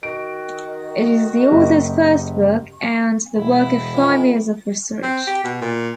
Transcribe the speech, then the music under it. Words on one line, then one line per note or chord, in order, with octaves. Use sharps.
It is the authors' first book and the work of five years of research.
D#3 F#4 D7
F#1 G4 D#5
E1 E4
F2 D#3
C4
G4
B2
A#2